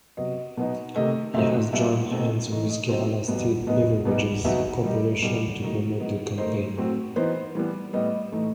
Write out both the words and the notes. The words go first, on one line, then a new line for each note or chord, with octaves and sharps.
He has joined hands with Kerala State Beverages Corporation to promote the campaign.
C3 F#3 B3 D#5
B2 F#3 B3 D#4
C3 D#3 A3 D#5
C3 F#3 A3 C4 D#4 E5
B2 G3 D#4 E5
B2 A3 C4 D#4
A2 E3 A3 D#4
D#5
B2 F#3 C4 D#4 C5
B2 G3 B3 D#4
B2 F#3 B3 D#4 D#5
B2 G3 B3 D#4
B2 F#3 B3 D#4 E5
D#3 G3 D#4
B2 G3 D#4
D#3 F#3 A3 D#4
D#3 F#3 B3 D#4
D#3 A3 D#4 C5
A2 F#3 C4
E3 B3 D#4 C5
E3 G3 B3
A2 G3 B3 D#5
A2 E3 A3 D#4